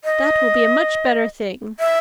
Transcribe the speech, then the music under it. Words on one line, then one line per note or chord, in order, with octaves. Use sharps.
That will be a much better thing.
D#5
E5